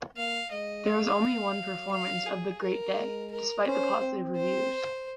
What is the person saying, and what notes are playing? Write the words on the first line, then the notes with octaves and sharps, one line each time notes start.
There was only one performance of "The Great Day", despite the positive reviews.
A#3 F5
G#3 D#5
F5
F#3
F5
G#4
A#4
G#3
A#4
C#4 C5
C4
C5